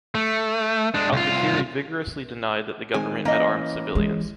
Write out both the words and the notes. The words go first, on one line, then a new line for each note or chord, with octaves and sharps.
Alkatiri vigorously denied that the government had armed civilians.
A3
G#3 D4
C2 F4
D#3 G#3 C4 G#5
E3 A#3 C#4 D#5
E3 G#3